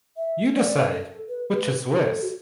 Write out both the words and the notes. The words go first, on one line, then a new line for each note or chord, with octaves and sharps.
You decide, which is worse.
E5
D5
B4
A4
B4
B4
A4
F#4